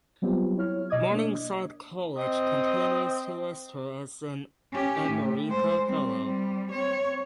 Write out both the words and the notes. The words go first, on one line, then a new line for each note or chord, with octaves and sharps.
Morningside College continues to list her as an emerita fellow.
F#3 G3 B3 C4 F4 G4
E4 C#5 F6
B2 D#5 D6 D#6 G#6
A#3 D4
C4 D#5
C#4 G4
A2
G#3 C5
G3 C4
G3
C4 C#5